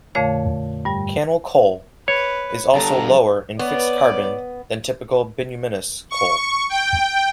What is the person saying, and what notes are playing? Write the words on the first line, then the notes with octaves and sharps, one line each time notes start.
Cannel coal is also lower in fixed carbon than typical bituminous coal.
F2 A#2 D3 A3 C#5 F5
G2 G3
B4 C#5
G2 D3 A4 A5 A#5
B3 B4 C#5 D5
C#6
G5